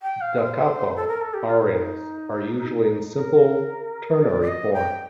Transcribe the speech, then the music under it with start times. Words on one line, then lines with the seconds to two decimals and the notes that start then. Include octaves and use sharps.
"Da capo" arias are usually in simple ternary form.
0.03 G5
0.21 F5
0.38 C5
0.96 A4
1.08 A#4
1.21 A4
1.34 G4
1.47 F4
1.60 D#4
3.16 A#4
4.21 D5
4.42 D5
4.48 D#5
4.73 G5